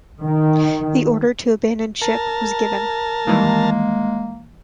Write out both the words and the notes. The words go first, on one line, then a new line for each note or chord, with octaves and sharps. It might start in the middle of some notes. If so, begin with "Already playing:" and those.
The order to abandon ship was given.
D#3
A#4 A5
D#3 E3 G3 G#3 A#3